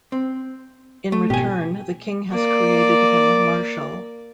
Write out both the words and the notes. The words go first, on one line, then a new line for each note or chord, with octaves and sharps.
In return, the King has created him Marshal.
C4
A3
G#1 B2 G4 G#5
A#3 D5